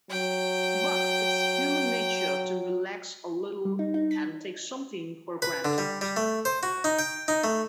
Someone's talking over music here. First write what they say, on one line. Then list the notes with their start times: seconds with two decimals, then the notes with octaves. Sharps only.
But it's human nature to relax a little and take something for granted.
0.10 F#3 G5
3.65 G3
3.79 D#4
3.94 D#4
4.11 B6
5.42 B4
5.65 D3
5.78 G3
6.01 G3
6.16 A3
6.45 C5
6.63 F#4
6.84 D#4
6.99 G5
7.28 D#4
7.44 A3